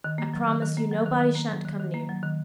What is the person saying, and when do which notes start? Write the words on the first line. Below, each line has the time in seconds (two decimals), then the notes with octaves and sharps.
I promise you nobody shan't come near.
0.04 D#3
0.18 A#3
0.34 F#3
0.47 D#3
0.62 D#3
0.77 A#3
0.91 F#3
1.06 D#3
1.21 D#3
1.35 A#3
1.50 F#3
1.65 D#3
1.80 D#3
1.94 A#3
2.09 F#3
2.23 D#3